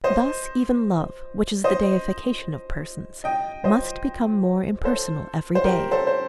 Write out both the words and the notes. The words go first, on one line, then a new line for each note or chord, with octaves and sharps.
Thus even love, which is the deification of persons, must become more impersonal every day.
C5 D#5
C5 D#5
D#5 G5
C5 D#5
A4 C5
C5
G4 A#4
A4 C5
C5